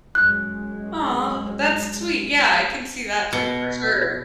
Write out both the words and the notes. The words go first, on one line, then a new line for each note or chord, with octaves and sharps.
Aw, that's sweet. Yeah, I can see that too, for sure.
F#2 G#3 F#6
B2